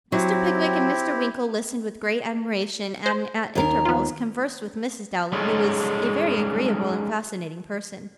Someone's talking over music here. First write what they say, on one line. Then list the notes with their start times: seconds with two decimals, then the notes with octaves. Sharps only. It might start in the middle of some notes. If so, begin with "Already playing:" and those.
Mr. Pickwick and Mr. Winkle listened with great admiration, and at intervals conversed with Mrs. Dowler, who was a very agreeable and fascinating person.
0.12 F#3 C4 E4 G4
3.06 C5
3.55 D#2 A#4
3.85 B3 F4
5.32 G3 G#3 C#4 D#4 G#4 A4